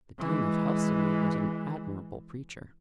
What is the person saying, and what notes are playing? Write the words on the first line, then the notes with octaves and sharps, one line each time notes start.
The dean of Helstonleigh was an admirable preacher.
E3 G#3